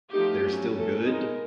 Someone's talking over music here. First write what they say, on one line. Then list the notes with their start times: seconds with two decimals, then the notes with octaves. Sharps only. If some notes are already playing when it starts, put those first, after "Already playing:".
they're still good
0.13 F3 A3 C4 D#4 G4
0.44 F#3 A3 C#4
0.75 F#3 A3 C#4 A4
1.06 G#3 B3 D#4 A#4